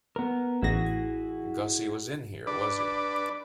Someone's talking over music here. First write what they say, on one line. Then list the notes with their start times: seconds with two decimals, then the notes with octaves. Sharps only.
Gussie was in here, was he?
0.16 B3 A#4
0.62 A1 E4 F#4 G#4 A#6
2.47 D4 B4 D5